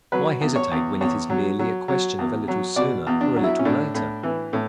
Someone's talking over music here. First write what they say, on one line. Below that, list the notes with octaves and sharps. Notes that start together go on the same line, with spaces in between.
Why hesitate when it is merely a question of a little sooner or a little later?
F#3 B4
E2
C#5
E2
E2 C#5
F#3
F#3
F#3
E2
F#3
B2 D5
E2
D4
F#3
E4
C#4
A2 D4
A2
E3
A2